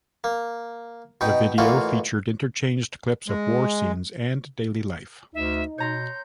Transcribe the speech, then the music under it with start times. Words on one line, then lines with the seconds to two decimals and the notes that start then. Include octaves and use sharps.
The video featured interchanged clips of war scenes and daily life.
0.24 A#3
1.21 B2 D#4 G5
1.58 A1 E3 A#3 F4 F#4
3.28 G#3
5.34 D2 D#4 E5
5.78 B2 C#5 A#5 C6 G6